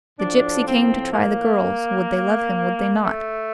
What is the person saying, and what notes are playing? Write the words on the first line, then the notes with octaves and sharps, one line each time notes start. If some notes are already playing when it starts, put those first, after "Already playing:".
The gypsy came to try the girls: Would they love him, would they not?
A2 F3 D4
C4
A#3
A3